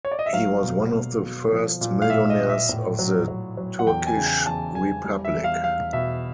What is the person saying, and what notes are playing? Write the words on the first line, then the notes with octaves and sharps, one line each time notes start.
He was one of the first millionaires of the Turkish Republic.
C#5
D5
D#5
E5
F#3 F5
B2
B2
B2
F3
A#2
F5
A#2 E5
D#5
A#2
E5
A2
F#3
F#3
F#3
F#5
E2 G5
G#5
C#3
G#5
E2 A5
E2 G#5
G3
E5
E2
F5
E2 F5
B2 E5